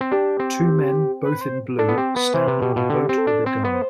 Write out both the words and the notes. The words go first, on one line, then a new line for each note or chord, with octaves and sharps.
Two men, both in blue, stand on a boat with a gun.
C4
D4 G4
C4
B4
C5
D4 A4
B3
C4 G4
B3 B4
E3 C5
C3 B4
B2 G4
B2 F4
D3 G4
C4
A4
D4
C4 C5
B3
C5